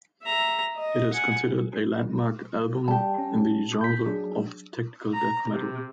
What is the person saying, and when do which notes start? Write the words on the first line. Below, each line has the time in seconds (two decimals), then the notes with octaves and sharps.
It is considered a landmark album in the genre of technical death metal.
0.24 E5 A#5
0.77 D#5
1.13 F#5 G#5
2.88 G3 G4 A5
3.18 C#4
3.81 G6 B6
4.06 F#3 D4 G#4
5.13 A#5
5.50 C3